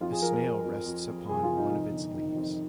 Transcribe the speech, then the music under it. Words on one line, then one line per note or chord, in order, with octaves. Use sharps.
A snail rests upon one of its leaves.
F2 F4
G#4
F3 A#4
A#4
F3
F2
F2
F2
C3 G#4
F4
C3
D#4
F2
G1
D#3
F2